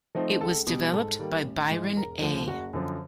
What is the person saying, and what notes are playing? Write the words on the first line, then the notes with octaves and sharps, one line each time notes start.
It was developed by Byron A.
F3 A3 C4 D#4
C#2 A4 A5
B2 G3
G#2 A4 A5
D#3 G3 A#3
A1
G#2 E3 G#3
E1 A#4 A#5
D2 D3 F3
F#1 F#4 F#5
F#2 D3 F3